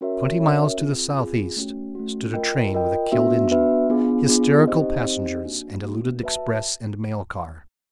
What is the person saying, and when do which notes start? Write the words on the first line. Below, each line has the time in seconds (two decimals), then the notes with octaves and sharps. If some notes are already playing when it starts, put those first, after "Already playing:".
Twenty miles to the southeast stood a train with a killed engine, hysterical passengers and a looted express and mail car.
0.01 C#4 F#4 A#4 C#5 E5
0.40 C#4 F#4 A#4 C#5 E5
0.78 C4 F4 G#4
1.17 C4 F4 G#4
1.56 A3 C#4 F#4
1.95 A3 C#4 F#4
2.34 F4 A#4 D#5 G5
2.73 F4 A#4 D#5 G5
3.12 B3 D4 F#4 B4 E5
3.51 B3 D4 F#4 B4 E5
3.90 B3 D4 F4 G#4
4.28 B3 D4 F4 G#4
4.67 C4 D#4 G4 C5 D#5
5.06 C4 D#4 G4 C5 D#5
5.45 A#3 D4 F#4
5.84 A#3 D4 F#4
6.23 F#4 B4 E5 A5